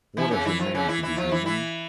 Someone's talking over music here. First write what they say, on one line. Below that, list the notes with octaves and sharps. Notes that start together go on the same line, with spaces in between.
What does it mean to be human?
E3 E4
C#3 C#4
E3 E4
F3 F4
C#3 C#4
E3 E4
E3 E4
F3 F4
E3 E4
E3 E4